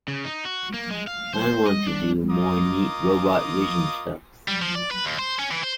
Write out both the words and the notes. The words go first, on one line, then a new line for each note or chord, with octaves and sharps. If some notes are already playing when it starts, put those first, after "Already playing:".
I want to do more neat robot vision stuff.
C#3
D#4
F#4
A#3
G#3
F5
C5
D#5
D4
A#3 F4 D#5 A#5 D6 D#6
G3
F3
D5
B4
D#2
C5
C#4
E3
C5